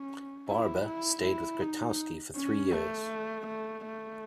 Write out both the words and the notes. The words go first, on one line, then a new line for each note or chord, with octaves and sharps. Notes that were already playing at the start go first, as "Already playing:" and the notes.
Barba stayed with Grotowski for three years.
Already playing: C#4
E4
E4
E4
D#4
C#4
A3
A3
A3